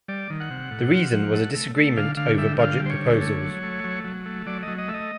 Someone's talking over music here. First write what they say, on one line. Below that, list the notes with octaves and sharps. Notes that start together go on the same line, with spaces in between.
The reason was a disagreement over budget proposals.
G3 D5
D#3
F#5
C3
A2
F3
F3
A3
A3
A3
D3 F5
D3 F5
G3 E5
D3 F5
G3
C5
C#5
D3
A3
F#3
A3
F#3
F#3
A3
F#3 D5
D#5
F#3
D#5
A3 E5
D#5